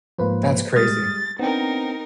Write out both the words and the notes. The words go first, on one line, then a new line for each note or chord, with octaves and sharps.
That's crazy.
G#2 F3 A#3 B4 C5
G3 G#3 D#6 F6 A6
B3 C4 D4 D#4 A#4 G5